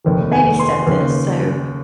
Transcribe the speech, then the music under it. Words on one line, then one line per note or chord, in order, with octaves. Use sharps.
baby-step this." So,
F1 D#2 D#3
G#5
C6
D#2 C#3